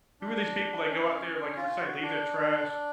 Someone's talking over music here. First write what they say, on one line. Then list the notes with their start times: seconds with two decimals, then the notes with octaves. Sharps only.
who are these people that go out there, like you were saying, leave their trash?
0.21 D4
0.89 C#4
1.57 F4
1.80 F#4
2.03 D4